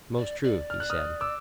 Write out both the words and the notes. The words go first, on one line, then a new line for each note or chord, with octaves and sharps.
Most true, he said.
D5
D5
F6
F#6
D#6 F6
D6 E6